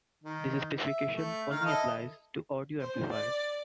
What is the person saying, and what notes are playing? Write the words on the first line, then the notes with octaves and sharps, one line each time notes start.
This specification only applies to audio amplifiers.
D#3
E5
A3
D#3 F5
E4 A4 D#5
C5
D5